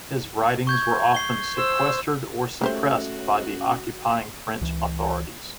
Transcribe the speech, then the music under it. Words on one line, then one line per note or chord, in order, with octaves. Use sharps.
His writings were often sequestered or suppressed by the occupying French authorities.
C#6 G6 G#6
C#6 C7 G7
C5 E6
G#3 A3 C#4 F#4 G4 C5 G6
C#2 E3